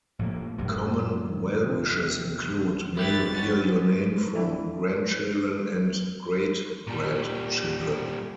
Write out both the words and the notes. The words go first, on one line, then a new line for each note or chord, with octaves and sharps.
Common well-wishes include May you hear your name from grandchildren and great-grandchildren!
A2 F3 A#3
F#2 A2 C3 G#3
C3
E4 G4 B4 A6
F2 B3 C#4
D4 E4
A#2 G3